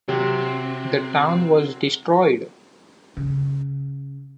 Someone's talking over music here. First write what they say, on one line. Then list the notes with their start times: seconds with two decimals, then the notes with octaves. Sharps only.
The town was destroyed.
0.08 C3 F#3 C4
3.17 C#3